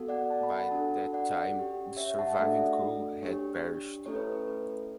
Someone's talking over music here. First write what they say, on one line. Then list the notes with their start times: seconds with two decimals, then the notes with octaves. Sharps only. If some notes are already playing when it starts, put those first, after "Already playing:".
By that time, the surviving crew had perished.
Already playing: B3 F#4 A4
0.08 D5 F#5
0.30 A5
0.43 B5
0.57 F#5 A5
0.72 D4 F#4 A4
1.13 D5 F#5
1.55 C#4 G4
1.97 C#5 E5
2.19 F#5 A5
2.33 E5
2.39 A3 D4 F#4 A4 D5 F#5
3.23 D4 G4 C#5
4.06 A3 C#4 E4 A4 C#5
4.15 B4
4.32 B4
4.48 B4